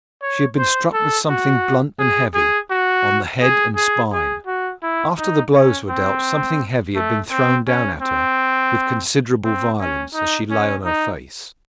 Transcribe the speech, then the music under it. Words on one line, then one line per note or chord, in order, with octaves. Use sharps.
She had been struck with something blunt and heavy, on the head and spine; after the blows were dealt, something heavy had been thrown down at her with considerable violence, as she lay on her face.
C#5
C5
A4
F#4
G#4
G#4
F#4
G#4
G#4
G#4
F#4
E4
D#4
C#4
C4
A3
C4
C#4
C4
C4
C#4
D#4
C#4
D#4